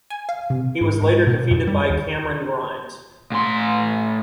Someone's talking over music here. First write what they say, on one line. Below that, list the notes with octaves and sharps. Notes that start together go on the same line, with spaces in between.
He was later defeated by Cameron Grimes.
G#5
F5
C3
G#2
G#2
B2
F#2
G3
D#2
A2 C6